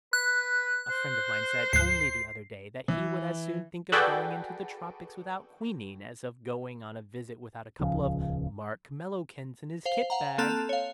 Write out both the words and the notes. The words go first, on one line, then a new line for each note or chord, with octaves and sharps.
A friend of mine said only the other day that he would as soon think of going into the tropics without quinine as of going on a visit without a couple of Mark Mellowkents in his kit-bag.
B4 F#6
C5
D2 G#2 F#6 C7
E3
F#4 G#4 A4 B4 D5 G5
D#1 C#2 C#3 F3
C5 F5
F5 F#5 A#5
A#3 C4 A4 A5 F#6 F7
C#5 F5